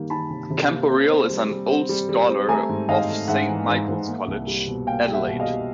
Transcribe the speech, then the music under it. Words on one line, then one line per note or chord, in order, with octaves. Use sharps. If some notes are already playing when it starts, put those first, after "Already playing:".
Camporeale is an old scholar of Saint Michael's College, Adelaide.
Already playing: D#3 G3 A#3
D#3 A5 B5
C3
C3
A#3
C4
C4
G3
G3
C4
G3
G3
C4
A3 G#5 A#5
G#2
G#2 D#5 F5
A3
G#2 E5 F#5
E3
G#2
G#2
A#3
C2
G3
B2
A#3 F5 G5
G3 G5
E5 F#5
B2
D#5 F5
G3